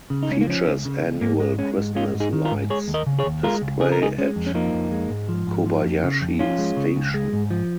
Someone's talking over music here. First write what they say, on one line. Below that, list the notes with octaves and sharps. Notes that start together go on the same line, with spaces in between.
Features annual Christmas Lights Display at Kobayashi Station.
C#3
D#4
C#2 C#4
A#3
F3 C#4
C#2
C#3
C#2
G#2 A#3
G#3
G#3 C#4
G#2
G#3 C#4 F4
G#2
D#4 G#4
D#3
F4 A#4
G#2
G#3 G#4 C#5
D#2
A#4 D#5
C#3
G#4 C#5
D#2
G#3 F4 A#4
C#2
C#3 G#4
A#4
C#2 D#4 G#4
G#3 C#4
F2
C#4
F3 A#3 D#4
F2
G#3
G#2
F3
G#2
F3
F2
C#3
F2
F3 C#4 F4
G#3
C#3
C#2
G#3
G#2
F3